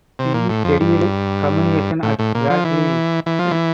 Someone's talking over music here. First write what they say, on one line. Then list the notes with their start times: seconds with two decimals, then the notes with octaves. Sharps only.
He studied communications at Bradley.
0.19 C3
0.34 A#2
0.49 A2
0.64 F2
0.80 G2
2.03 A2
2.19 A2
2.35 A#2
2.50 F3
2.65 E3
3.26 E3
3.39 F3
3.51 E3